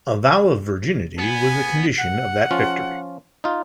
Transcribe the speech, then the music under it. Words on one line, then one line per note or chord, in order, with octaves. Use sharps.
A vow of virginity was a condition of that victory.
B3 G#5
F#5
F3 C#4 F4
D#4 F4